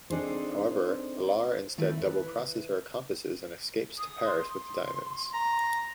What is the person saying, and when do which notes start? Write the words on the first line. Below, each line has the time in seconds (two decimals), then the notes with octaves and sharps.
However, Laure instead double-crosses her accomplices and escapes to Paris with the diamonds.
0.10 C4 D4 D#4 G#4 A4 C5
1.78 D#3 A3 E4
1.97 B4 E5
3.98 D#6
4.26 C6
5.34 A#5